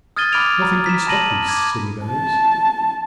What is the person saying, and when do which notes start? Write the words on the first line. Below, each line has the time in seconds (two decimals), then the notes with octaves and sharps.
Nothing can stop these silly birds.
0.16 D#6 F6 G#6 A6 D#7 G7
0.33 B5 D6 F6 G#6 D7 F7
0.62 A#5 B5
0.86 B6 E7
1.07 A5 B5 A#6 D#7 F#7
1.49 D6 G#6
2.06 A5